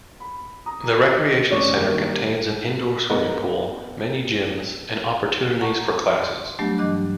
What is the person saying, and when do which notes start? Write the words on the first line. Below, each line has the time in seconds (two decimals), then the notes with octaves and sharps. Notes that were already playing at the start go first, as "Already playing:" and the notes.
The Recreation Center contains an indoor swimming pool, many gyms, and opportunities for classes.
0.20 B5
0.66 A#5 D#6
1.05 D#5
1.51 F1 C#4 C#5 D5 D6 F#6
1.75 D#3 G3 A#3 D#4
3.10 B3 A#4 D#5 F#5 A#5
5.61 F#5 A5 A#5 C#6
6.23 C6
6.59 F#3 G3 A3 B3 D4 G4
6.78 G2 E3 D#5 D6 F#6